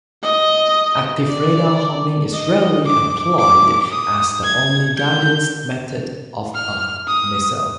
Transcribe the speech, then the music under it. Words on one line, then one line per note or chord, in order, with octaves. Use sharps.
Active radar homing is rarely employed as the only guidance method of a missile.
D#5
D5
D#5
D6
D6
D#6
G#6
G6
F6
D#6